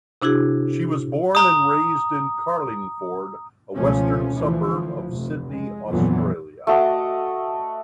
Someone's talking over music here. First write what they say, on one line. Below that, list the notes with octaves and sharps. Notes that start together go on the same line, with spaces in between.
She was born and raised in Carlingford, a western suburb of Sydney, Australia.
C3 D4 E4 F#4 G#4
A#5 D#6
C#2 B2 F3 A3 C#4
D2 E3 F3
F1
G#3
F2 A#2 D3 E3 F#3 B3
A3 F#4 D#5 D6